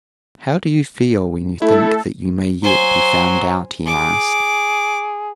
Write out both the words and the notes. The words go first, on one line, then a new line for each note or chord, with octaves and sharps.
"How do you feel when you think that you may yet be found out?" he asked.
A3 E4 A4
F#3 C5 G#5
G#4 D6